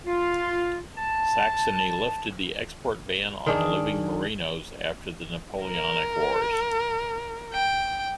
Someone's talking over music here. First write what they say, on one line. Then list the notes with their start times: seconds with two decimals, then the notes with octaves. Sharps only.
Saxony lifted the export ban on living Merinos after the Napoleonic wars.
0.06 F4
0.96 A5
3.46 D#3 D4 G#4
5.63 A#4
7.53 G5